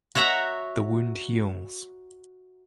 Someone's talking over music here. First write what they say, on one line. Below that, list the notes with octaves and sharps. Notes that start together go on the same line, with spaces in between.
The wound heals.
F#4 C#5 E5 F#5 A#5